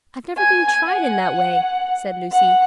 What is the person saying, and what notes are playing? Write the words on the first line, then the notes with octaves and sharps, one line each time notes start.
"I've never been tried in that way," said Lucy.
G#5
F#5
F#5